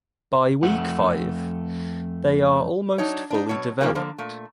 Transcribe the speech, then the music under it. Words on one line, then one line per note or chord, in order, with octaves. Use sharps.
By week five, they are almost fully developed.
F2 A3 F#5
F#3 D4 D#4 C#5
D4 D#4
B2 F#3 C#5
A#2 D#3 F3 G3 A#3
D3 F3 A#3
A#2 A3